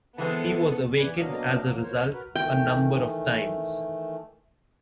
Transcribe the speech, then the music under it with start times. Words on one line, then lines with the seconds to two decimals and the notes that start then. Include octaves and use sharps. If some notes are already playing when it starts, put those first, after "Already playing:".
He was awakened as a result a number of times.
0.18 E3 G#3 B3 C4 A4
0.97 E2 E3 B4 D5 G#5
1.16 B2 F#3 A#3 D4 D#5 F5
1.61 E2 F#3 A#3
1.83 A#4 C5 C#5
2.13 F#4 A#4 B4
2.35 D#3 E3 A3 G5